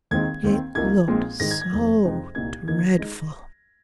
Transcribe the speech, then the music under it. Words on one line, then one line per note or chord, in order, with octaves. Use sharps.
It looked so dreadful.
D#2 D#3 G#3 C4 D#4 G#6
D#2 D#3 C4
C2 C3 F3 A#3 D#4 G#6
A#1 A#2 G#3 C4 D#4
G#2 D#3 G#3 D#4 A#6
G#6
G#6
F1 D#2 D#3 A#3
F2 C3 G#3 D#4
C2 A#2 A#3 D#4 G#6
D#2 D#3 A#3 D#4 G#6
G#6
A#6
G#3 D#4